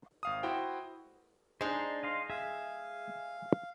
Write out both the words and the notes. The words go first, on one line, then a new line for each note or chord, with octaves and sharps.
Salt and alum were also quarried at Kalabagh.
G#1 F5 D#6
E4 F#4 C5 G5
G#3 D4 D#4 C5
D#5 F5 C6
G#4 E5 F5